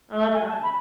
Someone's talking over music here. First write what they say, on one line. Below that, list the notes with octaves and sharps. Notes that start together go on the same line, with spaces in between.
Oh, that's awesome.
G#5
A5
B5